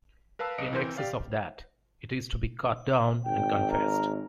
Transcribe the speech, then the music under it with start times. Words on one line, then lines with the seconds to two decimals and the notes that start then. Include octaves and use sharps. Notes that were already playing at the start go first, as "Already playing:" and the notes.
In excess of that, it is to be cut down and confessed.
0.39 A#4 B4 F5 A5 E6
0.58 B1 D#5 C#7 D7
0.73 E3 C4 A#4 C6 G6
0.97 G4 D5 F5
3.25 G#1 G5
3.70 A#4